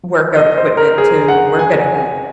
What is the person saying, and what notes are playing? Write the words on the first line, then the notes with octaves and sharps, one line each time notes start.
workout equipment to work at home
D#5
C5
A#4
G#4
F#5
G#5